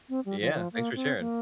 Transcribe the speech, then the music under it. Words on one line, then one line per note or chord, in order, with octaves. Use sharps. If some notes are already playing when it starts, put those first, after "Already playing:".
Yeah, thanks for sharing.
C4
G3
F3
D#3
F3
A#3
C4
A#3